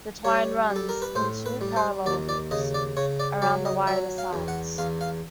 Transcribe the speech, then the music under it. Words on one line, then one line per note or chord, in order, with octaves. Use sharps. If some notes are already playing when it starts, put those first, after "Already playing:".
The twine runs, in two parallel loops, around the wider sides.
G3 C#5
G3
A4
A#4
B4
A2 C5
B4
G3
C5
D#2 D5
D5
C#3 D#5
D5
C#3 C#5
D5
F#3 D5
D#5
F#3 E5
F5
E2
F#5
E2 F5
F5